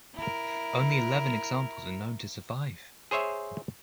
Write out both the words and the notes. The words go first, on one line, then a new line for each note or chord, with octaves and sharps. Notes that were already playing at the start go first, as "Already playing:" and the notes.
Only eleven examples are known to survive.
E4 A#4
G#4 C5 C#5 E5